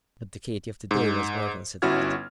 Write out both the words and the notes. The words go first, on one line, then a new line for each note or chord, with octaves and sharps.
But the Katy of to-day was more considerate.
G#2
G1 C#4 E4 F#4 F6 G#6